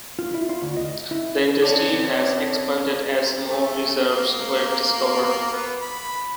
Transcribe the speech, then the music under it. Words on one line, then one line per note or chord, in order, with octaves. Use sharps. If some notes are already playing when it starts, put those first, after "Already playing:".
The industry has expanded as more reserves were discovered.
F4
E4
F4
D2
D#5
E4
C#3 C4 C#5 D5 A5 D6
A3
A#3
B3
B5